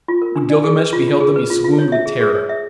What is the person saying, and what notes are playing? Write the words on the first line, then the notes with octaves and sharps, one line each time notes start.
When Gilgamesh beheld them he swooned with terror.
F4
A#4
D4
D5
G#4
B4
F4
F4
G#4
B4
F4
F4
C#5
E5
G#4
G#4
C#5
E5